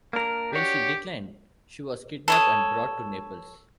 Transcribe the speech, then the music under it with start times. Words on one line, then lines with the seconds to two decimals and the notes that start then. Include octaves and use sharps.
When she declined, she was kidnapped and brought to Naples.
0.13 A#3 D4 A#4
0.53 D4 F#4 G4 C#5
2.28 A4 C#5 D#6